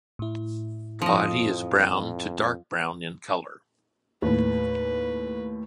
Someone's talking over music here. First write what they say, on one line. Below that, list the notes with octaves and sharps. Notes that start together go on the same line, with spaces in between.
Body is brown to dark brown in color.
A2 E4
F2 F3 D#5
D#2 A2 B4